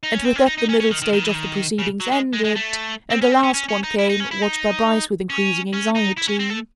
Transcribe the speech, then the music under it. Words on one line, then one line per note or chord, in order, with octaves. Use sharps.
And with that the middle stage of the proceedings ended--and the last one came, watched by Bryce with increasing anxiety.
D#4
C#4
C4
C#4
D#4
D#4
C#4
C#4
D#3
D#3
D#3
E3
D#3
C#3
F#3
G#3
G#3
G#3
A3
C4
C#4
C4
C#4
C#4
C#4
D#4
E4
D#4
C#4
E4
D#4
C#4
C#4
D#4
E4
C#4
C4
A3